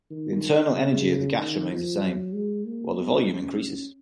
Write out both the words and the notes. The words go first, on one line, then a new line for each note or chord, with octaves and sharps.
The internal energy of the gas remains the same, while the volume increases.
D#3
C#3
D#3
F3
F#3
G#3
A#3
B3
C#4